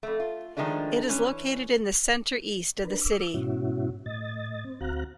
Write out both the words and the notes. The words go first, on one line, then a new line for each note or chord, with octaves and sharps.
It is located in the centre-east of the city.
F2 A3
F4
D#3 F3 G#3 A3 D4
E3 C#4
D4 A#4 B4
D6 E6
G#2 B2 C#4 E4 F#4
A2 D#5 A6
C4
D2 C4 F#4 F5 A#5 F#6